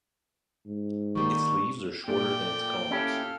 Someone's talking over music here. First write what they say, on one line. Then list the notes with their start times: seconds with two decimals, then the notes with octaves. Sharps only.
Its leaves are shorter than its culms.
0.66 G#2
1.15 D#3 G3 A#3 C#6
2.08 A#2 A3 G4 D5 G5 D7
2.91 C#4 E4 G4 A4 F5